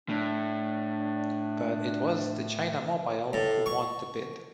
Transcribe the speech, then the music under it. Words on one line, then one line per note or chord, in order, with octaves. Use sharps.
But it was the China Mobile who won the bid.
A2 D4
A2
C#6